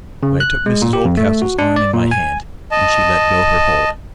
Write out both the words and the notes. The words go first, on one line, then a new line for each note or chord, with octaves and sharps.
But I took Mrs Oldcastle's arm in my hand, and she let go her hold.
C#3
F#6
G#3
A#2
G4
F2
A3
F#4
D4
D5
A#2
G#5
D#5 A5